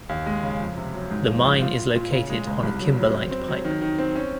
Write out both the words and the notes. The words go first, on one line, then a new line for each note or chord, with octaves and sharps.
The mine is located on a kimberlite pipe.
D#2
G#3
C#3
F2
C3
F#3
G#2
F3
A#1
F4
F4
A#2
C#3
G#3
C#2
C2
F#3
F#3
C4
C4
F#3
D#3
D#3
C4
C#4